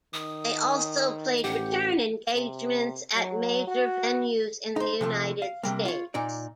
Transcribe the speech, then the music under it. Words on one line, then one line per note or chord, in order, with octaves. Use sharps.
They also played return engagements at major venues in the United States.
D#3 D#6
A1 G4 F#5
C3
F#3
F#4
D#4 C5
C3 F3 A3
F5
C3 G3 A#3
F4 C#5
A#2 D#4 D5